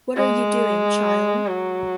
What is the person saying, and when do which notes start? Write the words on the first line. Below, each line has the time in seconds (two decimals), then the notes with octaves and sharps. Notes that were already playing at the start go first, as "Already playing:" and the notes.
What are you doing, child?
0.16 G#3
1.47 F#3